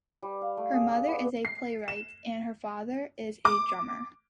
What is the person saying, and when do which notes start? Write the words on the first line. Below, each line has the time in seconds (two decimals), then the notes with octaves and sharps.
Her mother is a playwright and her father is a drummer.
0.22 G3
0.41 F5
0.57 A3
0.73 G#4
0.90 D4
1.07 B3
1.45 C7
1.88 E7
3.45 D6